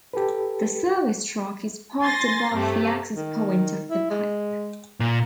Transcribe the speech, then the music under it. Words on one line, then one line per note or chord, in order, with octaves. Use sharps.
The service truck is parked above the access point of the pipe.
G4 A4 B4
G#5 C6 A6 A#6
G2 C3 A3
D#3
E4
G#3
A#2